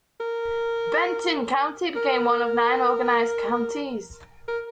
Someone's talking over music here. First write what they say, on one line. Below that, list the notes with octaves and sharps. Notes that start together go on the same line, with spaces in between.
Benton County became one of nine organized counties.
A#4
A#4
A#4